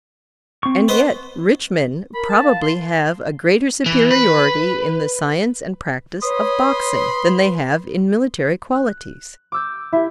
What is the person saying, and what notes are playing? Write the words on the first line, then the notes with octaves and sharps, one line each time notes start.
And yet rich men probably have a greater superiority in the science and practise of boxing than they have in military qualities.
C4 C#6
B3 B4 C5 D#5
A#4 B5
A5
F5
C6
E3
B4
B4 C#5 B5 C6 D#6
F#6
D6 E6 G6
E4 G4 E5